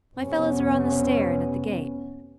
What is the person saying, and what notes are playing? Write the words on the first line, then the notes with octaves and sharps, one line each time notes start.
'My fellows are on the stair and at the gate.
F1 C3 B3 C#4